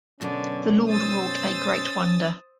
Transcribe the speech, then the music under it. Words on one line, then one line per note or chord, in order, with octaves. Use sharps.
The Lord wrought a great wonder.
F#2 B2 D3 F#3 C#4
C5 D#6 E6 A6